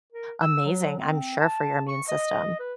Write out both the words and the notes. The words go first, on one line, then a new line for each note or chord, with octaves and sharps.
amazing, I'm sure, for your immune system.
A#4
E6
F#3
C4
A5
C#6
D#5
B4